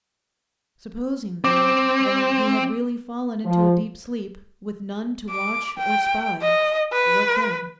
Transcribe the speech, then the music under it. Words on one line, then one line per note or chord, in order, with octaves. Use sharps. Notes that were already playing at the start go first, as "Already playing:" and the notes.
Supposing, though, that he had really fallen into a deep sleep, with none to watch or spy--what then?
C4 D6
F3
D6
G5
D#5
B4